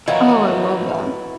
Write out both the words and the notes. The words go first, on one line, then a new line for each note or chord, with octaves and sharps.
Oh, I love that.
D#3 E3 E4 F#4 C#5 D#5 F5 A#5